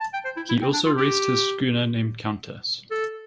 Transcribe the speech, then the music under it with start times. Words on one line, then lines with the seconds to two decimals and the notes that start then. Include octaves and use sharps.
He also raced his schooner named "Countess".
0.01 A5
0.14 G5
0.25 C5
0.37 E4
0.49 E4
0.62 C4
0.73 D4
0.86 F4
0.98 G4
2.91 A4